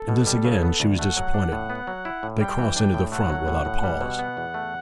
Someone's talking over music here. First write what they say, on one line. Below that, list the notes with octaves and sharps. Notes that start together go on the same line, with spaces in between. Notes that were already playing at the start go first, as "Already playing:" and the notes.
In this again she was disappointed: they crossed into the front without a pause.
Already playing: A4
B2
G3
C#3
B3
D2
A3 F#5
F#3
D4
A2
B3
F#3
E4
A2
G3 G5
E3
D4
A2
A3 F#5
F#3
A2
A2
G3
B2
B3
E2
A3